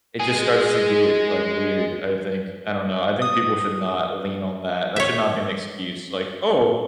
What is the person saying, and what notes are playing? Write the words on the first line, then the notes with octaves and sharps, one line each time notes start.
It just starts to get, like, weird, I think. I don't know, I think people should not lean on that, that should not be an excuse. Like, "Oh"
G#3 G#4
D#6
C#5 E5